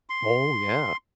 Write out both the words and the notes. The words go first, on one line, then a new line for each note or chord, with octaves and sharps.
Oh, yeah.
C6